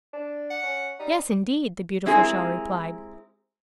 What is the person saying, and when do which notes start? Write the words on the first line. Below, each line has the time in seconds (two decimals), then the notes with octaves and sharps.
"Yes, indeed!" the beautiful shell replied.
0.13 D4
0.50 F#5
0.63 C#4
0.99 G3 D#4
2.06 G#3 C4 E4 G4 G#4 A#4